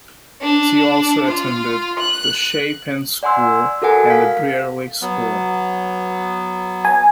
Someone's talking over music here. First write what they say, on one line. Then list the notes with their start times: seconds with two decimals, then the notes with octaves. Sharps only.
She also attended The Chapin School and The Brearley School.
0.41 D4
1.27 F4
1.99 F#6
3.23 D5 F#5 G#5 C6 E6
3.82 F#4 A4 A#4 F#5 G#5
4.10 F5 B6
5.02 F#3 B3
6.85 G#5